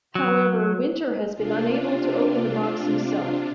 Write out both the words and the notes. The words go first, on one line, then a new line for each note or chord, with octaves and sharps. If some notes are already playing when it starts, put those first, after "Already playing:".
However, Winter has been unable to open the box himself.
F#3
C3 D4 F4